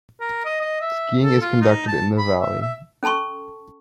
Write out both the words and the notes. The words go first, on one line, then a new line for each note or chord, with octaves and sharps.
Skiing is conducted in the valley.
A#4
D#5
D#5
E5
A4
F4
D#4
A5
B5
E5
E5
C#4 A4 A5 C6 C#6